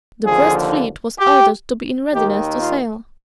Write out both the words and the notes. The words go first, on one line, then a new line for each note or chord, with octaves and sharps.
The Brest fleet was ordered to be in readiness to sail.
D#2 D3 F3 G#4
G4
D#2 D#3 G4
F4